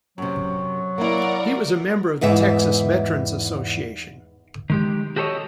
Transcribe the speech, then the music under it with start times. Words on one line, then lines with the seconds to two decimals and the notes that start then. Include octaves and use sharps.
He was a member of the Texas Veteran's Association.
0.18 F#2 C3 F#3
0.98 A#3 E4 A#4 D5 F#5
2.21 E2 G#2 B4 E5
4.70 D#3 G#3 G4
5.16 F#4 G4 A4 B4 C#5 D#5